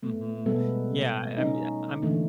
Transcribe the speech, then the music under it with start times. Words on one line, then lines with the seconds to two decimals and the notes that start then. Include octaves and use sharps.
Mhm. Yeah, um, yeah, um
0.03 A3 B3
0.46 B2 G3 G#3 B3 A4
1.36 G3 C#4 D#4 D#5
2.02 D3 E3 A3 A#3 C#4 D#4